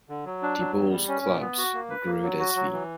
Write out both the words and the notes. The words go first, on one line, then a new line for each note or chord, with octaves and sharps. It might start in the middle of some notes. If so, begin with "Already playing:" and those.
De Boules clubs Grude, Sv.
D3
F#3
D4
F#3
E2
G3
C#4
A#2
B3
F#4
A#3
B4
A#3
F#3
F#4
F#3
E3